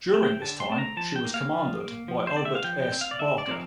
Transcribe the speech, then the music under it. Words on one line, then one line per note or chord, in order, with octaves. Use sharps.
During this time, she was commanded by Albert S. Barker.
A3 C4
G5
D3 A5
C6
A3 C4 A5
A#5
F3 A5
G5
A#3
F5
F3
A#3
F3
C5
C4 D5
E5
F5
F3 G5
G5
C4
F5
D5
D3 E5
D5
F3 C4 A#4